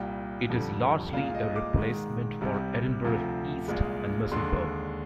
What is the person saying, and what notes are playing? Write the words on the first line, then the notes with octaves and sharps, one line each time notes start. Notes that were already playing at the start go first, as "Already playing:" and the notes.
It is largely a replacement for Edinburgh East and Musselburgh.
Already playing: C2 A#2 G3 G5
F2 D3 G3
C2 A#2 G#3 F5
D#5
D6
G#2 D#3 G#3
C2 C3 G3
D2 C3 F3
C2 A#2 G#3
D#2 D3 G#3 C6